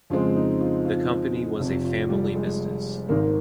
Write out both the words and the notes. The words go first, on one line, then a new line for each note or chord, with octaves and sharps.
The company was a family business.
F2 C#3 G#3 C4 F4
D#4
F4
F4
F1 F2 C3 F4
F4
G3 G4
G#3 G#4
G#1 G#2 D#3 A#3 A#4